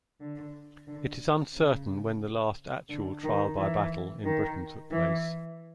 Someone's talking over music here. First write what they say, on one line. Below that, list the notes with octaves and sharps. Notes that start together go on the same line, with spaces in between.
It is uncertain when the last actual trial by battle in Britain took place.
D3
D3
C#3
D3
D#3
E3
D#3
E3